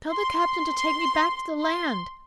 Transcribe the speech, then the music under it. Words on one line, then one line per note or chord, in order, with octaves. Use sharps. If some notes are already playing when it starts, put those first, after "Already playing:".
Tell the captain to take me back to the land.
C6
C6
C6